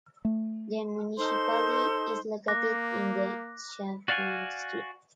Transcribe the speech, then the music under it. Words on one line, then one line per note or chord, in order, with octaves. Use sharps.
The municipality is located in the Schaffhausen district.
A3
D#4 A4 C5 C6
A#3 D6 F#6 A#6
F#4 D5 F5 F#5 G#5